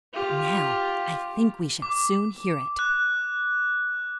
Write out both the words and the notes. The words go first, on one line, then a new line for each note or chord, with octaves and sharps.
"But now I think we shall soon hear it."
F4 G4
D6
F#6